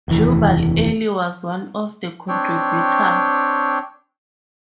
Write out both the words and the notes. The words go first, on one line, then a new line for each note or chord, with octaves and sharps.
Jubal Early was one of the contributors.
F1 D#2 E3
C4 D4 C#5 G5